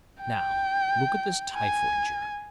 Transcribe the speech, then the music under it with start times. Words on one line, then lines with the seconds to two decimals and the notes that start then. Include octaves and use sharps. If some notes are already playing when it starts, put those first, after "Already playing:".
Now look at this typhoid germ.
0.22 G5
1.56 G#5